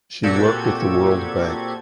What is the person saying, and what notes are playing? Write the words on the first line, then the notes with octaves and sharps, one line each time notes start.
She worked at the World Bank.
A#2 C4 F#4 G4 A4 G#6